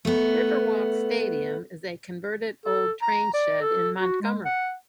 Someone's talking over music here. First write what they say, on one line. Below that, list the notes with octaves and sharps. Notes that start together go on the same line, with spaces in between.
Riverwalk Stadium is a converted old train shed in Montgomery.
A3 B3
A4
A#5
D5
A4
F#4
G#3
F#5